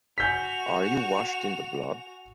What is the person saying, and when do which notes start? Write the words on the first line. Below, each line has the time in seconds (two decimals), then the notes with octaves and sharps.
Are You Washed in the Blood?
0.18 F#4 G#5 G6 B6 F7